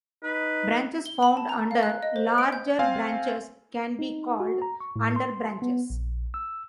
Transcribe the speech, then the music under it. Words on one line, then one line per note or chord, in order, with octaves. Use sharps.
Branches found under larger branches can be called underbranches.
D#4 B4
G7
B5
A5
A#5
F5
F#6
D#5
C5
D7
G6
C4 F5 G#5
D#4
F#4
A#5
C#6
A2
C6
B3
A#1
E6